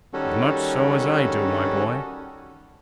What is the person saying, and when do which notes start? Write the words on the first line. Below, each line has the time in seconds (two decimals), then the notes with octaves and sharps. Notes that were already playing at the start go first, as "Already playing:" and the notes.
"As much so as I do, my boy!"
0.14 D#3 G3 C#4 F#4 A4